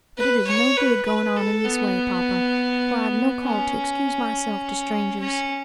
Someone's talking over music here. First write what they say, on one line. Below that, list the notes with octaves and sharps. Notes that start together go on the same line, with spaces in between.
But it is no good going on in this way, poppa, for I've no call to excuse myself to strangers.
B4
C#5
B4
B4
A4
B3
C#4
C#4